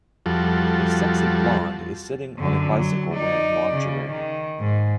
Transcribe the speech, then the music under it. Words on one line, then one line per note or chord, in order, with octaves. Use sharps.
A sexy blond is sitting on a bicycle wearing lingerie.
F2 F3 G3 F#4 A4
F#2 D3
F#3
D#4 D5
C#3
D#3
G#2